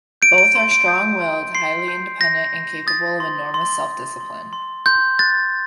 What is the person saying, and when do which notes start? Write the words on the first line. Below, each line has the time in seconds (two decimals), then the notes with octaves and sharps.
Both are strong-willed, highly independent, and capable of enormous self-discipline.
0.22 G6 D7
0.38 D7
0.55 C6
0.71 D7
0.88 G6
1.21 C6
1.55 C6 C7
1.88 G6
2.21 G6 A#6
2.54 G6
2.87 D#6 A6
3.20 C6
3.54 C6
3.87 C6
4.21 C6
4.53 C6
4.86 C6 G6
5.19 F#6 A6